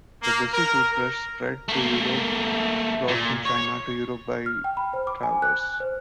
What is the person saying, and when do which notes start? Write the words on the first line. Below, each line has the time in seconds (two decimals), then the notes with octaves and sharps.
The bristle toothbrush spread to Europe, brought from China to Europe by travellers.
0.21 A#3
0.52 A#4
1.68 A3 A#3
3.09 A#2
3.46 C#5
4.46 F6
4.64 G5
4.77 B5
4.93 C5
5.07 D6
5.23 G#5
5.42 F#6
5.80 C5